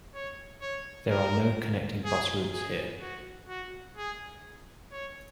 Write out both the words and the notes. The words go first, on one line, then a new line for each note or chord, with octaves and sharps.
There are no connecting bus routes here.
C#5
C#5
A#4
G#4
G#4
F#4
F#4
G#4
C#5